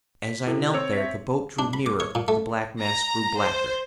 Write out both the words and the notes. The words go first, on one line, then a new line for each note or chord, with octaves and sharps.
As I knelt there the boat drew nearer, the black mass grew blacker.
B6
C3 E4 A4
C4 C#5 E6 F7
E5 B6
D4
B5
D6
C#5
A#2
A3
A#5
C5